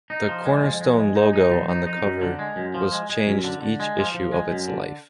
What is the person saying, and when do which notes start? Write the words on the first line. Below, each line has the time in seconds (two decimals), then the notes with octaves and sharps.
The "Cornerstone" logo on the cover was changed each issue of its life.
0.10 D#4
0.28 F3
0.45 G#3
0.63 F2
0.81 G#3
0.98 G#3
1.16 D#4
1.33 D#4
1.51 F2
1.69 D#4
1.87 D#4
2.04 F#2
2.22 D3
2.39 G#3
2.56 F#2
2.74 F3
2.92 G#3
3.10 G#3
3.27 F#2
3.44 D3
3.62 D3
3.80 G#3
3.97 F3
4.15 F3
4.32 G#3
4.50 F#2
4.68 D3